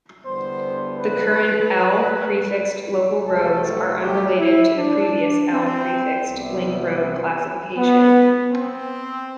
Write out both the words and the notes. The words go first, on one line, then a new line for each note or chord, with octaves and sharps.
The current "L"-prefixed local roads are unrelated to the previous "L"-prefixed link road classification.
E2 D3 G3 B3 C5
B4
C2 C3 F#3 A3 A4
G4
E4
D4
C4
C2 C3 E3 G3 B3 C4
B3
C4